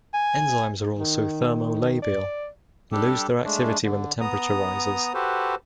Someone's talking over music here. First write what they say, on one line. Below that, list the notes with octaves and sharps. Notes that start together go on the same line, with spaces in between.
Enzymes are also thermolabile and lose their activity when the temperature rises.
G#5
D#3
D5
G3 D4 G4 A4
G#3 A3 D4
D3
B3 A#5 D#6
F#4 G4 A4 B4 C5